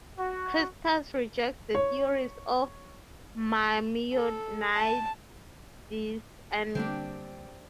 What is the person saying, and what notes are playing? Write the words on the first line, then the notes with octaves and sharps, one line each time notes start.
Crescas rejects the theories of Maimonides and Gersonides on this point.
F#4
C#5
A4
A5
D3 G3 A#3 C4 D4 G4